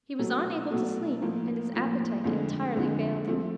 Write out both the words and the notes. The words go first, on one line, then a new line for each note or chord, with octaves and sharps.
He was unable to sleep and his appetite entirely failed him.
B2 F#3 A3
B2 F#3 A3
A2 F3 A#3
A2 F3 A#3
F2 D3 F3 G#3
F2 D3 F3 G#3
F3 A3 C4